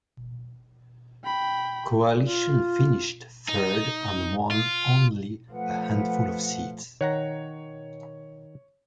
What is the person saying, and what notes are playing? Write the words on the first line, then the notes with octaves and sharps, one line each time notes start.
Coalition finished third and won only a handful of seats.
G5 B5
F4
D#4
F4
F3 A3 B4 F#5
D#3 C#5 F#5 A#5